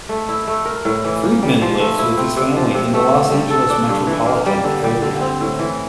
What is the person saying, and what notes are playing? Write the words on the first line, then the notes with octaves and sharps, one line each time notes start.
Freedman lives with his family in the Los Angeles Metropolitan Area.
A3
E4
A3
A#4
A2
E3
A#3
G3
F3
A3
E4
C4
C3
F3
C3
A3
D3
G3
A4
D4
G2
E3
A#3
G3
D3
G3
D3
C4
A2
E3